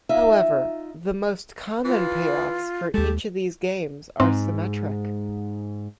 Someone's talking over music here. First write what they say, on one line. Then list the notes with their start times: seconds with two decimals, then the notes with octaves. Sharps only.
However, the most common payoffs for each of these games are symmetric.
0.09 D#4 F4 E5
1.84 E3 F4
2.94 D#2 G#3 A3 G4
4.20 G#2 C4